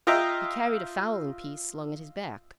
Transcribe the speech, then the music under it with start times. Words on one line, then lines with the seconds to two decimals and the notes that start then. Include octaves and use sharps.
He carried a fowling-piece slung at his back.
0.07 F4 D#5 E5 G5 A#5